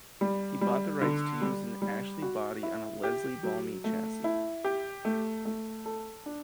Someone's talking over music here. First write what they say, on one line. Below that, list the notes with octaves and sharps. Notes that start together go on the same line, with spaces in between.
He bought the rights to use an Ashley body on a Leslie Ballamy chassis.
G3
G3
D3
G3
G3
F#4
E4
G4
F#3
A3
E4
G4
A3
A3
A4
D4